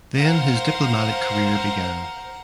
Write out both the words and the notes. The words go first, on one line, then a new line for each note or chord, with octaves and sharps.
Then his diplomatic career began.
A#4 C5 F5 F#5